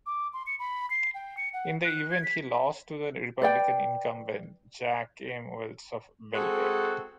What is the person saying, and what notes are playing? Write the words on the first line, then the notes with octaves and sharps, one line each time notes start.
In the event he lost to the Republican incumbent, Jack M. Wells of Belgrade.
D6
C6
C#7
B5
C7
G5
C#7
F#5
F#6
G#6
B6
B4 D5 G5
G#3 C4 F#4 G#4 A4